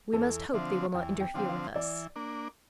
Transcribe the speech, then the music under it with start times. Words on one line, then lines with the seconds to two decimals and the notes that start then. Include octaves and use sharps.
"We must hope they will not interfere with us."
0.13 E2 A4
0.53 D3 F3 C4 E5
0.94 E2 G5
1.21 G5
1.34 D3 F3 C4 G5
1.49 F5
1.75 E3 D5
2.16 A#3 D4